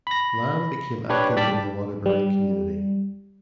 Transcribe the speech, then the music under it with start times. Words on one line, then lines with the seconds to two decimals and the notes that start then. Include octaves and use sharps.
Lamb became active in the Waterbury community.
0.07 B5 A#6
1.10 D4 G4 B4 C#5
1.36 G3 G4 D5 A5 B6
2.06 G3